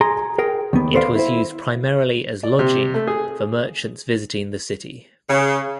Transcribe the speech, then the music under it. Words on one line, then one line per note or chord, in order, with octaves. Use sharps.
It was used primarily as lodging for merchants visiting the city.
G#4 A#5 C6
G#4 A#4 G5
D#2 B3
A4 B4 C5 D5 F5
E4 C5
D5
C3
A3
G#4
C#3